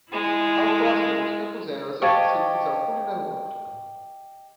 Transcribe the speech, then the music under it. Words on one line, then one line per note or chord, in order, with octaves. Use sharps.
All classrooms, campus areas and facilities are fully networked.
G#3 E4 F4
G4 C5 D#5 F5 A5 C#6 G#6